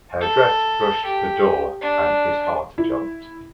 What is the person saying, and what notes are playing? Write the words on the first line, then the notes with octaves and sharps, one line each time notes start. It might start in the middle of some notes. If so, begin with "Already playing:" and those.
Her dress brushed the door, and his heart jumped.
A4
G4
D4
E4